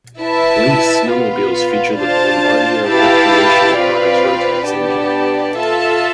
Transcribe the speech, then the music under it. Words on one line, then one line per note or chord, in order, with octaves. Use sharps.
Lynx snowmobiles feature the Bombardier Recreational Products Rotax engine.
E4 B4 E5 A5
B3 F4 B4 F5
D4 F4 C5 F5 A5
E4 G4 B4 F5 A5
C4 F4 B4 D5 F5
B3 D4 G4 D5 A5
F4 A4 E5 A5